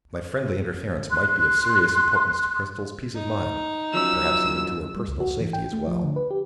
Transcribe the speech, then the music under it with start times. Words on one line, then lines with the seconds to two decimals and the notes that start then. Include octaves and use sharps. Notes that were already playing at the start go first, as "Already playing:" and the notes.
My friendly interference might be of serious importance to Cristel's peace of mind--perhaps even to her personal safety as well.
1.10 C6 F#6
3.15 D#4
3.94 F3 F#3 C#4 E6
4.96 G3
5.08 C#2
5.20 F#4
5.41 E3
5.53 G5
5.73 A3
5.87 F3
6.03 D3
6.16 B4
6.31 G4